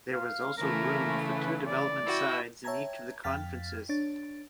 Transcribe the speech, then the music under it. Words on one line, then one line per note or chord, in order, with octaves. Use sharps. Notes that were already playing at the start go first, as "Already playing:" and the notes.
There was also room for two development sides in each of the conferences.
F5
C#3 E3 A3 A#4
B4
D5
E4 F#4 G5
C#5 E5 G5 A5 A#5 G#6
F2 F5 G5 F6 A6 B6
D4 C#5 A6